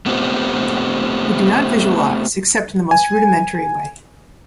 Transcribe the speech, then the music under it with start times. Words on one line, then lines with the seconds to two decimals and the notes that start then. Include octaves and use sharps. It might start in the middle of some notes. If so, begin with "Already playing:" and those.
I do not visualize except in the most rudimentary way.
0.06 A3 B3 C4 F4 G4
2.91 G#5